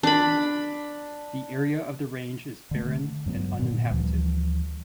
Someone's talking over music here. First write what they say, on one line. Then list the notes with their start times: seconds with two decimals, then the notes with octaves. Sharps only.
The area of the range is barren and uninhabited.
0.03 D4 B5
2.71 D3 A3
2.85 D3
3.26 G2 F#3 B3
3.59 A#2 D3
3.90 D2 E3 F3 G3